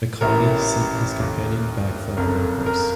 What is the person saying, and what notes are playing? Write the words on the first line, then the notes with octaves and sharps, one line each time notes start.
McCawley sent his companion back for another horse.
A1 A2 E3 A#4
D#2 D3
F#1 F2 D3 A#4
A#4